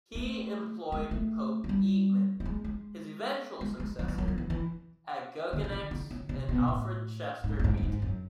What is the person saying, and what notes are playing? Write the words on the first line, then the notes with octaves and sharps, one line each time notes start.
He employed Pope Yeatman, his eventual successor at Guggenex, and Alfred Chester Beatty.
A3
G#3
A3
F#3
G3
G3
G#3
G#3
G#3
G#3
F#3
E3
F#3
F3
E3
E3
D3
C#3
D3
C#3
C#3
C3
B2
A2
G#2
G2
G#2
G2
G#2
F#2